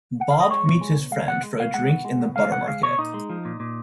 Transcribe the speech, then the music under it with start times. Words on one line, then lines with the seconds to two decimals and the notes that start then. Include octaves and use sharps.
Bob meets his friend for a drink in the Buttermarket.
0.20 F#5
0.30 F5
0.40 D#5
0.50 G#3 C#5
0.65 B2
0.81 G#3
0.97 B2
1.11 G#3 F5
1.28 B2 F#5
1.43 G#3
1.59 B2 F5
1.74 G#3 F#5
1.89 B2
2.05 G#3
2.21 B2
2.36 G#3 F5
2.51 B2 F#5
2.67 G#3 F5
2.83 B2 C#5
2.98 A#2 D#4
3.14 G#3
3.30 F3
3.45 A#2
3.60 A#2